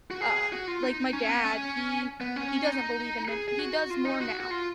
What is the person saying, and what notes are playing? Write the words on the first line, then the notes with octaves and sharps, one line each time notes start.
Uh, like my dad, he he doesn't believe in men he does more now,
F#4
G#4
F#4
F4
D#4
C#4
B3
C#4
B3
C#4
D#4
G#4
G#4
F#4
F4
D#4
F#4
F#4
F4